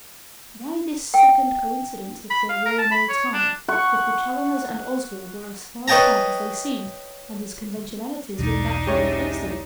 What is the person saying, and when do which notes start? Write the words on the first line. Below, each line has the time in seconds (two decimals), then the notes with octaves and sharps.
Why this second coincidence, if there were no tie--if the Challoners and Oswald were as far apart as they seemed and as conventionalities would naturally place them.
1.14 G5
2.30 B5
2.49 F5
2.66 A#4
2.79 A5
2.91 B5
3.09 C#5
3.34 D4
3.68 F#5 C#6
5.88 B4 C#5 D#5 G5 A5 A#5
8.39 B1 E2 D4 D#4
8.87 G#3 C#4 E4 G4 C#5 E5